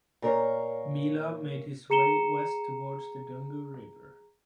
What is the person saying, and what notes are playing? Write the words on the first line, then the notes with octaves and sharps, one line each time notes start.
Mila made his way west towards the Dungu River.
A#2 A#4 C#5 F5
G#4 A#5 C#7 E7 G7